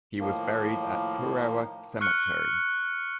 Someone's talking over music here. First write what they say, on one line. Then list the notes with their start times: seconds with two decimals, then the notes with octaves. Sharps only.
He was buried at Purewa Cemetery.
0.20 A2 D#3 F3 A#3
2.01 C#6 F6 F#6 C#7